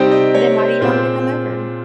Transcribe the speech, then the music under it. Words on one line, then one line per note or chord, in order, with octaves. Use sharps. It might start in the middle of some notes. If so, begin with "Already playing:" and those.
Then why do you want her to come over?
Already playing: C3 G3 C4 D#4 G5
D#5
C#5
C5
A#2 G#3 C4 F4 C5